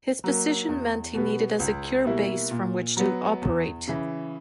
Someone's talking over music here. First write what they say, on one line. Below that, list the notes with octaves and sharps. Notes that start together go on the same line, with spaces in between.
His position meant he needed a secure base from which to operate.
F#3 A#3
E2
B2 G3 B3
C#2
B2 G3 A#3 E4
A#2
F#3 B3
E2
C#3 E3